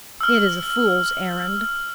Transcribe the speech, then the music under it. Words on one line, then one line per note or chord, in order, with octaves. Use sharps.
"It is a fool's errand."
E6 F6